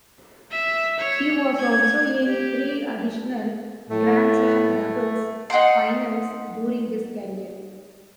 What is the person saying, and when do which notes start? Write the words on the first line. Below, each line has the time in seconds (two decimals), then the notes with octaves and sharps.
He was also in three additional Grand Slam doubles finals during his career.
0.51 E5
0.99 C#5
1.59 G#6
2.26 G4
3.90 A2 A3
5.50 D#4 F#5 G5 C6